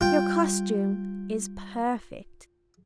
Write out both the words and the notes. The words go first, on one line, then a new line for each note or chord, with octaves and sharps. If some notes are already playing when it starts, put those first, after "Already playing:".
"Your costume is perfect."
G3 F4 G5